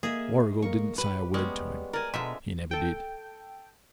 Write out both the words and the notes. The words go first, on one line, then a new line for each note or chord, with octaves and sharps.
Warrigal didn't say a word to him. He never did.
A#3 G#4 D#5 E5
A#3 A#4 C#6
G4 B4
G3 G#3 B3 C#4
A#4 D5 G#5
B2 D3 F3 G#3 E5 A#5
A4 G5